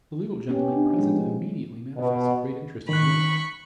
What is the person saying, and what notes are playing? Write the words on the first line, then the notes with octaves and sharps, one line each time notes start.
The legal gentlemen present immediately manifested great interest in these.
B3 C#4 G4
D4 D#4
F3 G#3
B2
D#3 B5 C#6 F#6